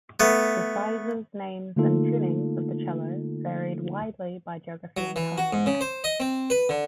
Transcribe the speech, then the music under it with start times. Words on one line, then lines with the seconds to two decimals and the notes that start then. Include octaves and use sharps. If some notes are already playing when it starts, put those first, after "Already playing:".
The sizes, names, and tunings of the cello varied widely by geography and time.
0.20 A3 B3
1.76 D3 A3 A#3 D#4 F4 A4
4.97 F#3
5.16 E3
5.38 F#4
5.53 G#2
5.66 C#3
5.81 C5
6.04 D#5
6.20 C4
6.50 B4
6.69 D3